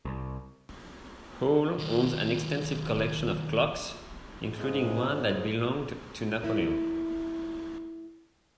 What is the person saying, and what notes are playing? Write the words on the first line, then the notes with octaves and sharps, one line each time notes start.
Hall owns an extensive collection of clocks, including one that belonged to Napoleon.
C2
D#3 F#3
G#2 C#3 G#3
A3 E4 A#4